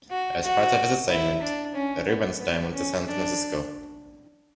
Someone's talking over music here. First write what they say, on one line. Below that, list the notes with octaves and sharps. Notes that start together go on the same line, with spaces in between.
As part of this assignment, Rubinstein went to San Francisco.
F#4
F#4
E4
D4
C#4
B3
B3
C#4
D4